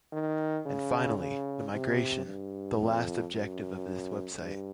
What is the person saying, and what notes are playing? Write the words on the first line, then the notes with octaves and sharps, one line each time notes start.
And finally, the migration, the last objective of this website.
D#3
C#3
C#3
C3
G2
F2
F#2
G2